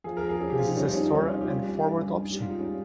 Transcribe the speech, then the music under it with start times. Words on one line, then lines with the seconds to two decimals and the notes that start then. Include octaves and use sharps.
This is a store and forward option.
0.04 F3 G#4
0.17 A#4
0.22 F3
0.29 G#4
0.40 C#4 G#4
0.50 G4
0.58 F3 F4
0.68 D#4
0.77 G3 C#4
0.86 D#4
0.95 C3 C#4
1.05 D#4
1.13 G3 C#4
1.22 D#4
1.31 C#4 F4
1.41 G4
1.49 G3 F4
1.68 C#4
1.87 G2
2.04 G2
2.22 G3 D#4
2.32 G4
2.41 G#2 F4
2.50 D#4
2.58 C#4